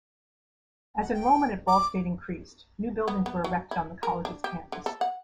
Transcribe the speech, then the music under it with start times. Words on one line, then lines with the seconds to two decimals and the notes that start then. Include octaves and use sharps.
As enrollment at Ball State increased, new buildings were erected on the college's campus.
1.01 F#5
1.13 G5
1.68 D6
3.08 B3
3.26 B3
3.44 F#3
3.71 E4
4.03 A#4
4.25 D4
4.44 G4
4.72 D3
4.86 A4
5.01 F#5